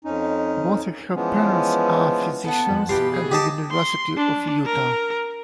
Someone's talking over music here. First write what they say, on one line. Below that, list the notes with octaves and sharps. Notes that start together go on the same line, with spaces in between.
Both of her parents are physicians at the University of Utah.
F2 C#4 D#4
E3 F3 G#3 B3 C#4
B3 A4 F#5
F2 E3 F3
B2 E3 G3 B3 F4 G4 C6
G#4
G4 D#5 A5
C6
D4
A#4